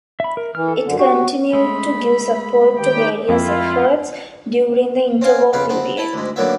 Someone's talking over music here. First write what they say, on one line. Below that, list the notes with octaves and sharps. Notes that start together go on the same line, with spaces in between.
It continued to give support to various efforts during the interwar period.
E5 B5
A#4
E3 F6
A4
F#2 D3
F#4 G4
G#3 A3 B5
D#3 G4 G5
F2 E4 F4
C4 C#4 C#5 F5 G#5
F2 C#3 G#4 B4 F5
B3 C4 A4
E4 A5
D2 G#2
F#2 D3 F#3 A#3 B3 E5